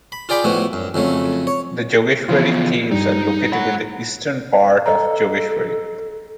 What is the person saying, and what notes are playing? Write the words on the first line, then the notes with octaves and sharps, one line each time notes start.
The Jogeshwari caves are located in the eastern part of Jogeshwari.
B5
F4 G#4 D5 G5 B5
A2 F3 B3 F#4
F#2
F2 C#3 F#3 A3
C#5
C#3 E3 F3 B3 F4
G2 G3 D#4
C#5 F#5 B5
A4 D#5 A#5